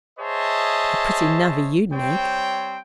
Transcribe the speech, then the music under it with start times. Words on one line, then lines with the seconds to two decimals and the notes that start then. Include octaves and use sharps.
'A pretty navvy you'd make!
0.19 G#4 C5 C#5 D#5 E5 A5
1.93 G3 C4 C5 C#5 G5